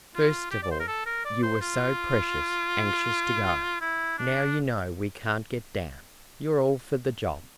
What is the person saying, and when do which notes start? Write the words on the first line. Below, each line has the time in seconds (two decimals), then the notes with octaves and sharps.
First of all, you were so precious anxious to go. Now you know we can't get down, you're all for the job.
0.15 F4
0.51 G4
0.63 D5
0.71 C5
0.80 A#4
0.88 A4
1.06 A#4
1.25 D5
1.43 C5
1.61 F4
3.81 E4
4.18 D4